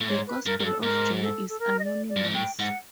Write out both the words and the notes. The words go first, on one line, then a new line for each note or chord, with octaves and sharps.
The Gospel of John is anonymous.
A2
G#2 C#5
B4
G2 A#4
G2 A#4
A4
B4
G#2 A#4
A4
A4
A#4
D#5
D5
D5
G2
G#2
A2 G5
G#2 F#5